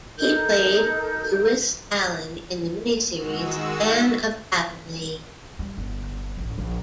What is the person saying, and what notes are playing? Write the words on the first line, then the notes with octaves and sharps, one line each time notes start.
He played Lewis Allen in the miniseries "Anne of Avonlea".
D#4 A4 A#4 G6
D#3 G#3 F#4 E6
G3
G1
A1
A#1